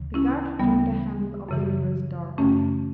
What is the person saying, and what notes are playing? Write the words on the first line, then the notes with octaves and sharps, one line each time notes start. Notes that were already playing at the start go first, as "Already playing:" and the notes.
The guard turned the handle of the nearest door.
Already playing: D2 C#3 E3
C#4 E4
D2 C#3 E3 G3 B3
F#2 C#3 E3
F#2 C#3 E3 A3 C#4